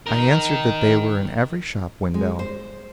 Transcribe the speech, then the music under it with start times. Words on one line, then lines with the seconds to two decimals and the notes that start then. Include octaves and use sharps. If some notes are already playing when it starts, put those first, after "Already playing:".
I answered that they were in every shop window.
0.07 D#4 A#4
2.14 G#3
2.39 C5